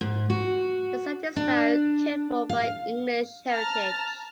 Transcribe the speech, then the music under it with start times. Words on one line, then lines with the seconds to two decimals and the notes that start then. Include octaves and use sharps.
The site is now cared for by English Heritage.
0.01 G#2
0.30 F#4
1.36 D4
2.49 F5
3.50 A5 A#5 F6